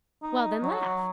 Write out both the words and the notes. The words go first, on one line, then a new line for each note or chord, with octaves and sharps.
"Well, then, laugh."
D#4
F#3